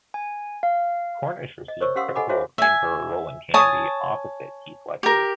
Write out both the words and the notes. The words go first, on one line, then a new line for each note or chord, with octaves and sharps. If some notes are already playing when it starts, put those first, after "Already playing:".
Cornish received critical acclaim for her role in "Candy", opposite Heath Ledger.
G#5
F5
D#5
A#4 C5 C#5 C#6 E6
C#4 G4 F5 F#5 C6 E6
A4 D#5 F#5 G#5 B5 D6
F#4 G#4 C5 C#5 E5 F5
E5 G#5
C#5 G#5 A5 D#6
G4 A#4